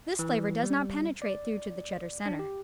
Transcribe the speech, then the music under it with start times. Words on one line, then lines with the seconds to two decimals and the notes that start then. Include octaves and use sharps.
This flavor does not penetrate through to the Cheddar center.
0.19 E3
0.63 G3
1.22 D5
2.26 D4
2.39 G4